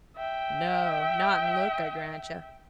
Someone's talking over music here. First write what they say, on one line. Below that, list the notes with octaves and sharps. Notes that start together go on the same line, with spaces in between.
'No! not in look, I grant yo'.
E5 G5